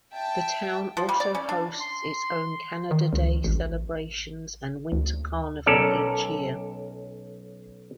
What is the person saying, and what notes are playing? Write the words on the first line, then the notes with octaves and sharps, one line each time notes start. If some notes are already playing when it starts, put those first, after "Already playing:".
The town also hosts its own Canada Day celebrations and winter carnival each year.
E5 G5 A5
F3
G3
D5
C#4
D4
C6
D#3
C#2
A1
D2
B1 C#4 A4 A#4 D5